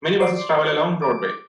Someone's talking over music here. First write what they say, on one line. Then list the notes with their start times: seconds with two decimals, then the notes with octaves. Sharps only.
Many buses travel along Broadway.
0.20 C5 D5
1.02 D6